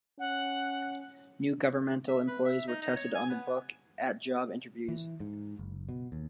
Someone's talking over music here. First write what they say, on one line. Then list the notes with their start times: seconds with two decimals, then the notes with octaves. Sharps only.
New governmental employees were tested on the book at job interviews.
0.19 C#4 F#5
2.08 E5
2.27 B4
2.45 E5
2.68 D#4
2.82 D#4
2.96 C#5
3.15 G#5
3.29 B3
4.89 E3
5.20 G#2
5.59 F#1
5.89 B2
6.12 D#2